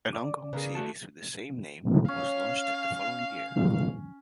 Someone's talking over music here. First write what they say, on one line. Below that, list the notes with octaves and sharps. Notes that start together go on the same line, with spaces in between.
An ongoing series with the same name was launched the following year.
D5 D6
C#3 G#4 A#4 B4
A3 F#4 A5
C#4 F5